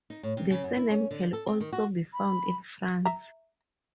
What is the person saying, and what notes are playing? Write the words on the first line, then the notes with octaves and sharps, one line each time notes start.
The surname can also be found in France.
D#4
A2
C3
C#3
F#2
E4
C#4
D3
A4
C4
D#3
F#4
B5
E5 A#5